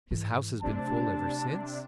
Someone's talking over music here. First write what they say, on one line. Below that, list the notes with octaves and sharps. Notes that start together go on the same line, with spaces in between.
His house has been full ever since.
G#2 E3
C3 F#3 A3 D4 A5